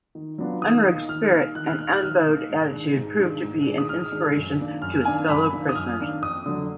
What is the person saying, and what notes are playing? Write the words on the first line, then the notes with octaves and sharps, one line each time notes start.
Unrug's spirit and unbowed attitude proved to be an inspiration to his fellow prisoners.
D#3
F#3 B3 D4 F4
D#3 D#6
A#3 D#4
D#3 F6
A#3 D#4
D#3 F#6
F6
A#3 D#4 F#6
F6
D#3 F6
A#3 D#4
G#2
D#3 G#3 D4
G#2
D#3 G#3 D4
G#2
D#3 G#3 D4
D#6
G#2 F6
D#3 G#3 D4
F#2
D#3 A#3 D4
F#2 F6
D#3 A#3 D4 G#5
F#2 B5
D#3 A#3 D4
D#6
F#2 F6
D#3 A#3 D4
F2 D#6
D3 F#3 D4